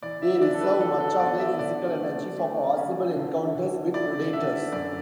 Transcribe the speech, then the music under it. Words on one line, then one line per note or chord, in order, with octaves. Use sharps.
They reserve much of their physical energy for possible encounters with predators.
E3 D5
E5
E5
D4 D5
A4
B4
D4 A4
A4
B3 D5
E5
D3 D5
A3
A3
C#4
D3
D3
E4 D5
D3 E5
F#2 D5